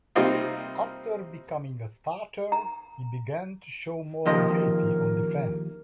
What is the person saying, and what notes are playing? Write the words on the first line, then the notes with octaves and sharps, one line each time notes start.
After becoming a starter, he began to show more ability on defense.
C3 G3 A#3 C4 D#4 F4
A#5
D#2 F3 A#4 D#5